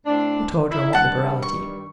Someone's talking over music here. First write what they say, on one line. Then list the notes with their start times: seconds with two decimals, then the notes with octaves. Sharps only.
What order and what liberality!
0.06 A2 C4 D4
0.71 D#4 E4
0.93 G2 D#3 G3 F#5 A5
1.42 C#6